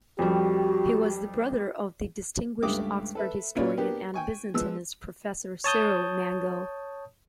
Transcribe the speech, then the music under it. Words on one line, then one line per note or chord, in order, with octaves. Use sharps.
He was the brother of the distinguished Oxford historian and Byzantinist Professor Cyril Mango.
F2 G3 F#4 G4
C#2 G2 A3 G4 D6 D#6
A4 B4 E5
A#2 C#4 F4 B4 C#5 D5
A#3 B3 D4 G4 A#4
G5 G#5 C#6
F3 G#3 B3 E6
C#5 A5 D#6 G6